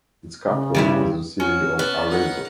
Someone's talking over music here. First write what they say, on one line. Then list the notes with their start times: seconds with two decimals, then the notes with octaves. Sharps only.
Its capital is the city of Arezzo.
0.48 C#3
0.75 G2 G3 E4
1.40 C#4 F#4
1.79 B3 A5
2.09 D#4 F#5